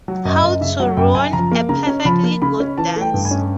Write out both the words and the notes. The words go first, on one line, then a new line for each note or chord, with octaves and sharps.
How to ruin a perfectly good dance.
F#3
F#2 D#5
F#2
C#3 E5
F#3 F#5
F#2 G5
F#2 G#5
F3 A#5
A#3
C#3 A#5
C#4
F3 B5
A#3
C#3 B5
C#4
E3 A5
A3 G5
G2
G#5
C#4